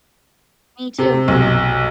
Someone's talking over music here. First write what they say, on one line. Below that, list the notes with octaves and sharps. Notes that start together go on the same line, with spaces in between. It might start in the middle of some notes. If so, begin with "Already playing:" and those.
Me, too.
C3
B1